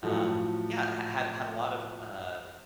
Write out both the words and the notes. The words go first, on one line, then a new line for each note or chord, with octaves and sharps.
um, yeah, h had had a lot of, uh,
A2 F3 F#3 A3